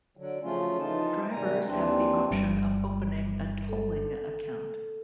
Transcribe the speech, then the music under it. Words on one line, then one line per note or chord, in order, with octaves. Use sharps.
Drivers have the option of opening a tolling account.
D3 F#3
C#3 F3 F#3 A3 C#4 F4
E3 F3 D#4 F4 A5
G#2 C3 D#3 G3 G#5 A#5
D#2 E3 C4 D4
G1 G3
A4